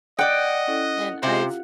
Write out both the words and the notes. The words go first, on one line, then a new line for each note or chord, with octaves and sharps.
and I've
D5 D#5 F#5 G5
C#4 E4 A4
C3 F4 G4 C5 F5